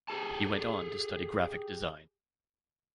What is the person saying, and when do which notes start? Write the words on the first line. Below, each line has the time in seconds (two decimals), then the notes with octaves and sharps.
He went on to study graphic design.
0.08 G4 G#4 A5